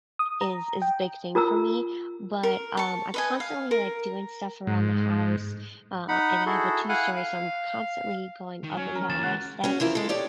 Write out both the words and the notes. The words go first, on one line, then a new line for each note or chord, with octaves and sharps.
is is big thing for me. But, um, I'm constantly, like, doing stuff around the house, uh, and I have a two-story, so I'm constantly going up and down my steps,
D#6
A#5
G5
F4 A#4 A#5 E6
A#4
A5 C#6
B4 D#5 G#5
F5
A#4
G#2
D#4 F#5 B5
E4 F#4 G#4 A4
E4 F5 F#5 G#5 F#6
F5
D#3
F#3 C#4
A#4
D#2 A#5 A6 E7
G#3 C#4 F#4 F#5
C#4 F#4 G#4
F2 E3 E4 A#4
G#3 A4
D#3 G4 C#5 D5